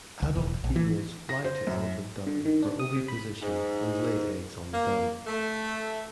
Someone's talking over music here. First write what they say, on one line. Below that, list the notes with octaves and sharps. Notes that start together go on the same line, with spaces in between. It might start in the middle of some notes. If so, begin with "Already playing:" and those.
Adult females fly to elephant dung for oviposition and lay eggs on the dung.
C#2
E1
A#1
E3
A#6
C5
F#2
D3
D#3
D4
D#6
C3
B5
G#2
A#3
A3